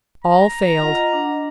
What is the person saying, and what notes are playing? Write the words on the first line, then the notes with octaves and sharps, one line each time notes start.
All failed.
A#5
F4 D#5 F#5
D4